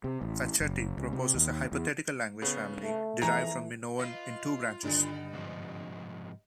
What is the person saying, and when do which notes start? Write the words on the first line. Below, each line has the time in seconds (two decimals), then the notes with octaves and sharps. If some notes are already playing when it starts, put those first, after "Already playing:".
Facchetti proposes a hypothetical language family derived from Minoan in two branches.
0.04 C3
0.21 A1
0.61 F#1
0.97 C#2
1.13 C3
1.35 D#2
1.72 E2
2.42 C#3 B3
2.82 A3
3.22 F2 E3 A3 G#4 A#5
3.99 F4 B4 D#5
4.83 G2 D3 D#3 G3 B3 D4
5.34 G#2 C3 F3